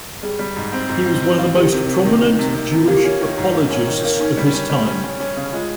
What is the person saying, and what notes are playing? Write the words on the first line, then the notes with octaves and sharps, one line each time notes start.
He was one of the most prominent Jewish apologists of his time.
G3 G#4
G3
G#2
C4
G#2
C4
C4
F4
D#3 G4
C3
C3
D#3
D#3
C3
C3
C3
F4
A#3 G4
C#4
D#3
G#2
A#3
C#4
D#3
A#3
C#4 D#4
G3
C#4
G3
C#4
C#4
C#4
C#3
G#3 F4